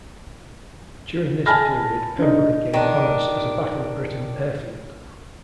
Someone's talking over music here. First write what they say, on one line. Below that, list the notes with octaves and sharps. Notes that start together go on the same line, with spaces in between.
During this period Pembrey gained honours as a Battle of Britain Airfield.
G#5 A5 B5 F6 A#6
D3 D#4
D#3 D4